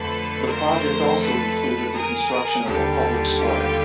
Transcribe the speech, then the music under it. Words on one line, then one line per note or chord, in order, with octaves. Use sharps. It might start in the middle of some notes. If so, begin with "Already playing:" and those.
The project also included the construction of a public square.
Already playing: F2 D3 F3 A3 A4 B4
A#4 C5
A4 B4
G#4 A#4
D#2 D3 G3 G4 A4
F4 G4